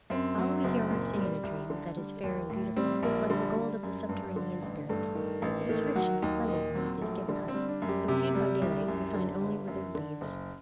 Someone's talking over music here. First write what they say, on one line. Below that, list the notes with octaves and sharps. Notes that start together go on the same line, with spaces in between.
All we hear or say in a dream that is fair and beautiful is like the gold of the subterranean spirits; it is rich and splendid when it is given us, but viewed by daylight we find only withered leaves.
F#2 C4
F#3
F#1
A#2
G3
C2
D3
G3
D#2
A2
G3 C4
A#1 A#3
D3 G3
G3
F#2
G2
D3
A1
G2 A3
D#3
A1
D#3 A3
F#3 F#4
D#2 D#4
A#2 D#4
F#3 C4
A#1 A3
D3 G3
C4
G3
D4
F#2
G4
C3 G4
G3
C2
F#2
D3
G1
F#2
D3
F#1